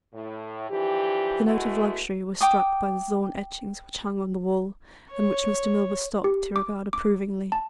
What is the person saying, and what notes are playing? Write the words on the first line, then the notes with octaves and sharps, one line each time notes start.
The note of luxury was struck by the Zohn etchings which hung on the wall, and which Mr. Milburgh stopped to regard approvingly.
A2
D3 E3 F3 G4
G#3 A3 B3 E4 F#4
G5 D6 D#6
C#5
G4
D6
D6
A5